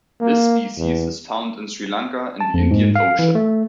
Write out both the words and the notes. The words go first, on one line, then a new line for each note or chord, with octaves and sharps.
This species is found in Sri Lanka, in the Indian Ocean.
A#3
E2
A5
F2
G#2
F5
E3
A3